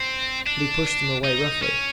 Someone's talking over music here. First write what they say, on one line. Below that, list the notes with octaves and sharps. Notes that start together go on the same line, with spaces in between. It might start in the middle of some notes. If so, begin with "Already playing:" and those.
But he pushed them away roughly.
Already playing: C4
D4
D#4
C#4